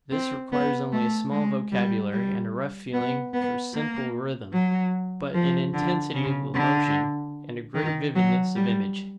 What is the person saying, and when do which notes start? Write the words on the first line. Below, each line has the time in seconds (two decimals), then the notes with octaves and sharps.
This requires only a small vocabulary and a rough feeling for simple rhythm, but an intensity of emotion and a great vividness of image.
0.12 C4
0.52 B3
0.93 A3
1.32 G#3
1.72 G3
2.12 G3
2.93 B3
3.33 B3
3.74 A#3
4.53 F#3
5.34 F3
5.74 D3
6.14 C#3
6.55 D3
7.75 D#3
8.15 F#3
8.55 G3